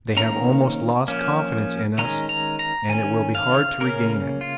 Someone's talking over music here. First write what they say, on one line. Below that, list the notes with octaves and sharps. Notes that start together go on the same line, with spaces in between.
They have almost lost confidence in us and it will be hard to regain it.
D#3 A#3 C#4 A#5
F3 A#3 C#4
D#3 G#3 C#4 A#5
A#5
A#5
D#3 C#4 G#5
F5
C#3 A#3 C#4 A#4
F4